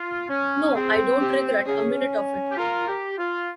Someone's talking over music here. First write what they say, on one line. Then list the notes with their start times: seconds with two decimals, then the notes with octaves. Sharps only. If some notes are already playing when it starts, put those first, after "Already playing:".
No, I don't regret a minute of it.
Already playing: F4
0.29 C#4
0.75 C4 G#4
1.20 G4
1.66 C#4 G#4
2.52 G4
2.57 F4 A#4
2.88 G4
3.18 F4